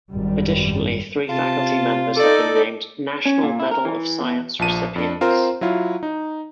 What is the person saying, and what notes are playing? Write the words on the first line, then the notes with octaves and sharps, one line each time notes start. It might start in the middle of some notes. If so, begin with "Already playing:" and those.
Additionally, three faculty members have been named National Medal of Science recipients.
G#1 F#2 G3
C3 F4 A5
D#4 A4 D5
C#4
A#2
E4
A#4
E3
E2
A#1 F3 A5 D#7
F2 D4
C4 F4 A#4 C5
F#3 E4 F4
D#4